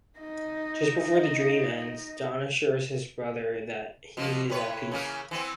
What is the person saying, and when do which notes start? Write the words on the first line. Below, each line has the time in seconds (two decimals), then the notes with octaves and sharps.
Just before the dream ends, Don assures his brother that he is at peace.
0.19 D#4 D#5
4.17 B2 F3 A#3
4.50 A2 B4 C#5
4.92 C#3 E3 A#3
5.31 E3 B3 C4